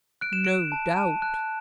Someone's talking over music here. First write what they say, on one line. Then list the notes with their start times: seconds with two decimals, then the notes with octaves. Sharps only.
"No doubt."
0.21 F#6 D7
0.33 E7
0.45 F#6 D7
0.72 A5
0.97 A5
1.22 F#6